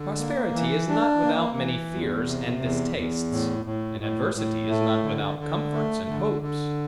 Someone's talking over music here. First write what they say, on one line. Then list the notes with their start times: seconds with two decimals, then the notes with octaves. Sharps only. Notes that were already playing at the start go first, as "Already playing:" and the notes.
Prosperity is not without many fears and distastes; and adversity is not without comforts and hopes.
Already playing: D3
0.19 A#3
0.54 E3
0.89 D4
1.23 A#3
1.58 E3
1.92 E2
2.27 C3
2.61 E2
2.96 E2
3.31 A2
3.65 A2
4.00 A2
4.34 A2
4.69 A3
5.04 D3
5.38 D3
5.73 A3
6.08 D3
6.42 D3